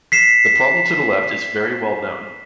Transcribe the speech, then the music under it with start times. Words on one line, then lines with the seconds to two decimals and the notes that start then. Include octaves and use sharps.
The problem to the left is very well known.
0.12 B6 C7 E7